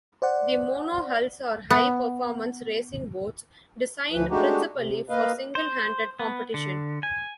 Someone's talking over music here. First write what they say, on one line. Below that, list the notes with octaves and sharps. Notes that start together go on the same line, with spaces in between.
The monohulls are high-performance racing boats, designed principally for single-handed competition.
C5 D5 F#5
B3
D2 E3 F3 B4
G#3 A3 D4 D#4 F#4 G4
C3
A#3 B4 D#5 F5
C5
B3
D3
G#5